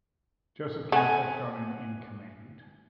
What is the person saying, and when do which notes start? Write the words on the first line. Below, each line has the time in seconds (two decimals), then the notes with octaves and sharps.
Joseph Campbell Cronin in command.
0.92 A3 F#5 G#5